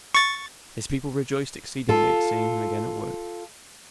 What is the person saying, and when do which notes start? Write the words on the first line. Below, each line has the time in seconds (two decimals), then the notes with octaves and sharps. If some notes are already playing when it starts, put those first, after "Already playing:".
His people rejoiced exceedingly at seeing him again at work.
0.15 C#6 A6
1.89 F4 A4